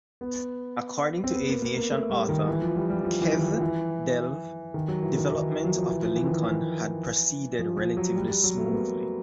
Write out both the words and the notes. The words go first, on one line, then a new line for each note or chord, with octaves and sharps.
According to aviation author Kev Delve, development of the Lincoln had proceeded relatively smoothly.
B3
C4
B3
A#3
A#3
A#3
A3
G3
D#3
E3
F3
G3
G3
F3
E3
D#3
F3
E3
D#3
F#3
E3
D#3
E3
D#3
F#3
F3
E3
F3
E3
D#3
E3
E3
F3
F3
F#3
G3
G3
F#3
A3
B3
A#3